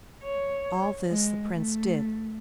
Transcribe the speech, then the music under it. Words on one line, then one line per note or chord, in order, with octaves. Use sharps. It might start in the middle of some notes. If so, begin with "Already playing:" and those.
All this the Prince did.
C#5
G#3
A3